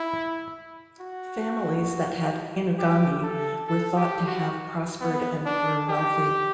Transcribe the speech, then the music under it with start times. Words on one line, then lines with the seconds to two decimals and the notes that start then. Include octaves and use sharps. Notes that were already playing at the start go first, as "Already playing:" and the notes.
Families that had inugami were thought to have prospered and grew wealthy.
Already playing: E4
1.00 F#4
2.78 G4
3.23 A4
3.67 A4
3.96 G4
4.27 F#4
5.01 B3
5.46 D4
5.89 G4